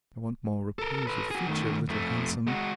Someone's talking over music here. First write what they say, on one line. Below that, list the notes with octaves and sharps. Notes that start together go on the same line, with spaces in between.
I want more repose of feature, Little Handsome.
A4 A#4
A4 B4
F#4 G#4
D#3 A3
F2 A3
G#3 F#4